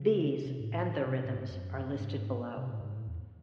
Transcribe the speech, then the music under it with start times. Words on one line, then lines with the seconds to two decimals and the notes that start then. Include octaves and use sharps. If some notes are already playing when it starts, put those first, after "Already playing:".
These, and their rhythms, are listed below.
Already playing: C#3
0.45 C3
0.60 A2
1.06 C3
1.25 A2
1.36 G#2
1.51 F#2
1.96 G#2
2.57 C3
2.69 A2
2.81 G#2
2.93 A2
3.08 E2